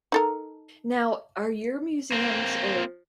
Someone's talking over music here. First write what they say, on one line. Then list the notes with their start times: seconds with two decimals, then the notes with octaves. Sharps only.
Now, are your museums or
0.12 D#4 A4 A#4
2.12 A#3 C4